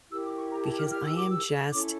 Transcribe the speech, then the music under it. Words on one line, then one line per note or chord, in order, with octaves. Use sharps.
because I am just
E4 G4 A#4 E6
D6
C#6
A#5
A5
F6
F6
E6
D6
E6
C#4 E4 A4 C#5 D6